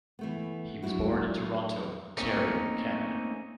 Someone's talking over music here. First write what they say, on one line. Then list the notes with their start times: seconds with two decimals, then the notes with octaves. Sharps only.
He was born in Toronto, Ontario, Canada.
0.19 E3 A3 B3
0.83 F#3 G#3 D4 E4 F#4
2.17 A3 A#3 C4 C#4 D#4